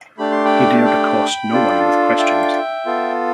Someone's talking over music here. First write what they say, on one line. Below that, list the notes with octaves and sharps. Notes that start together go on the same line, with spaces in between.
He dared accost no one with questions.
A3 D4 G4 B5
C6
G5 B5
G5 B5
D4 F4 A4
E5 G5
B3 F4 A4